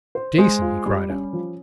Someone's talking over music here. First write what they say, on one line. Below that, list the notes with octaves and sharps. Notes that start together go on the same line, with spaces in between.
"Jason!" he cried out.
C5
G#3 C5
F4
G3
C#4
F3